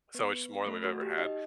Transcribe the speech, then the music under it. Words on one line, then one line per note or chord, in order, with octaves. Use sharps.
so it's more than we've ever had,
B3 B4
A3 A4
F#4
G4
D#4 D#5